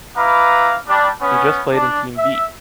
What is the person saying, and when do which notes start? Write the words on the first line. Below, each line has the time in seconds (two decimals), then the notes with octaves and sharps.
He just played in team B.
0.16 E4 B4 F5 A#5 D6
0.87 G3 D4
1.21 B3 C#4
1.72 D4
2.17 E5